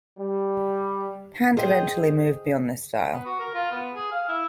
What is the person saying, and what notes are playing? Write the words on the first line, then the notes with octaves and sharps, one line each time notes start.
Pant eventually moved beyond this style.
G3
G#4 C5 D#5 G5
B3
F#4
A#4
F4
B3
G#4
F5
E4